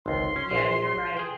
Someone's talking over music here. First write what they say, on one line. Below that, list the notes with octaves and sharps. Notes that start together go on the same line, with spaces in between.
yeah, you're right.
G#1 C#2 C6
C#4
A#1
G#4 G5